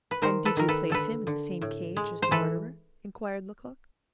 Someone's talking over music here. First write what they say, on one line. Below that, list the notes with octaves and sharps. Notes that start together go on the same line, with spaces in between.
"And did you place him in the same cage as the murderer?" inquired Lecoq.
B4
D#3 A#4 C5
A4 B4
D#3 A#4
A4 B4
D3 A4 B4
D3
A2
G#3
C5
E3 A4 B4